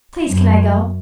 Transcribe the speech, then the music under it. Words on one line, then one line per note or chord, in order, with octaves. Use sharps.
Please can I go?
F#2